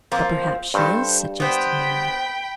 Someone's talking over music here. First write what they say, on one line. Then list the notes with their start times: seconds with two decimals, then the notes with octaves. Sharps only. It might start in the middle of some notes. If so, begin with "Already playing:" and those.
"But perhaps she is," suggested Mary.
0.12 F3 A#3 C4
0.74 G2 A4 C5
1.40 B3 C5 G5 B5